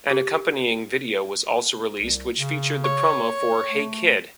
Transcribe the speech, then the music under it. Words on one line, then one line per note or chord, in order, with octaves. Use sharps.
An accompanying video was also released which featured the promo for "Hey Kid".
G4
C2
C#3
C#5 C#6
A3